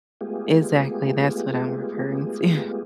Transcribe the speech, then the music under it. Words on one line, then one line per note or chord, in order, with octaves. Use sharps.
exactly, that's what I'm referring to.
G#3 A3 B3 F4 G4 G#4